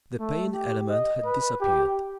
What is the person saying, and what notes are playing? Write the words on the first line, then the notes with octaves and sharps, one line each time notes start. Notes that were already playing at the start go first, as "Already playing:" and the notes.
The pain element had disappeared.
A3
G4
D#5
B4
G4